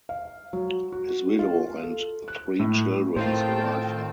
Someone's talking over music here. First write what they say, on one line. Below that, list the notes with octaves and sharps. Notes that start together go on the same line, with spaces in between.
His widow and three children survive him.
F5
F#3
F#4
F4
A4
F#6
A2
A2 D#3 C4 F4 C5 G5 A5